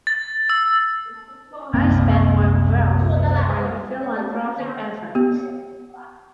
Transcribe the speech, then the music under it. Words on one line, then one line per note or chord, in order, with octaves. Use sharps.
I spend my wealth on philanthropic efforts.
A6
E6
F#1 C2 A#3 C4
B3 G4